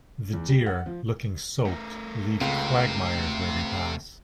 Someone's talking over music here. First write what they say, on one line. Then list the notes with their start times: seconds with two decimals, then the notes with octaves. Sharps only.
The deer, looking soaked, leave quagmires where they pass.
0.33 E2
0.48 G3
0.66 F#5
0.86 F3
1.66 A3 A#4
2.41 C#2 C3